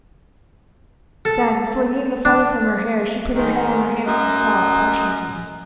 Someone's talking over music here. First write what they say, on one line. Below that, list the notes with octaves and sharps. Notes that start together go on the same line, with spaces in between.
Then, flinging the feather from her hair, she put her head on her hands, and sobbed passionately.
A4
D4
G#2 D#3
F#2 D#5